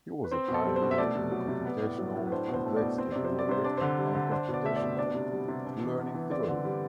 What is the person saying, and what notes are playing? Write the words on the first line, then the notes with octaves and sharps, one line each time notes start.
He was a pioneer in computational complexity theory and computational learning theory.
B4
C4 C5
B2
A4
G3
C5
B2
E5
A3 D5
C3
F#3
C3
B3
A2
F#3
A2
B4
D4 C5
B2
C5
A3
B2 D5
C4 C5
C3 D5
C5
G3
D5
C3 C5
D4 D5
D3 C5
G3
D3
D4 C5
B2
D5
A3 E5
D5
B2
D4 D5
C3
G3
C3
D4
E3
B3
E3
C4 D5
D3
G3